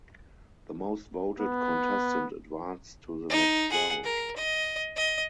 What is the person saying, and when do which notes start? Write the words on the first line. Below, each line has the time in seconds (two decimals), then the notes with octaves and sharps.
The most voted contestant advanced to the next round.
1.40 B3
3.30 D#4
3.71 G#4 F#5
4.04 A#4
4.36 D#5
4.96 D#5